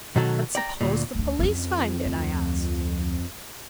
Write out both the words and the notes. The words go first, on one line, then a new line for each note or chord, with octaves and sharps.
"But suppose the police find it?" I asked.
B2 D#3 F#3 F#4 A4
D5 G5 A#5
D2 G2 A#2
D2 D4
F2 C4 C#4
D2